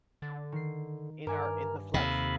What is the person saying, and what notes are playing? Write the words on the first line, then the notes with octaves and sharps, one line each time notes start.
in our in the flesh?
D3 A6
D#3 C7
G2 A#4 E5 G#5 D6
D#2 C3 A4 F5 B5